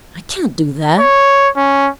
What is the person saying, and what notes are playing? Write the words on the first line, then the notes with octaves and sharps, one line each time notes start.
"I can't do that."
C#5
C#4